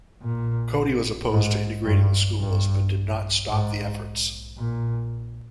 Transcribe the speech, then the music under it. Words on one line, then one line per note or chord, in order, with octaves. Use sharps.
Cody was opposed to integrating the schools but did not stop the efforts.
A#2
G#2
G2
G2
G#2
A#2